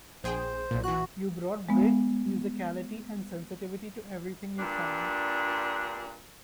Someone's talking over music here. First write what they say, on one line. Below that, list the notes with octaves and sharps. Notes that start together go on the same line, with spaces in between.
You brought great musicality and sensitivity to everything you sang.
A#1 G#4 C5 G5
B1 A#2
E3 F#4 F#6
G#3 B3
G2 A#2 D4